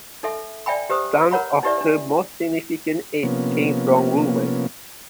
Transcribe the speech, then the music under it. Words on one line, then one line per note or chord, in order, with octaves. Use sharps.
Some of her most significant aid came from women.
D#4 A4 E5
D5 E5 G5 G#5 B5
G4 B4 C5 D#6
A#4 B4 C#5 F#5 A#5 B5
D#4 E4 G4 B4 D5 E5
D4 B4
C3 F3 A#3 B3 C#4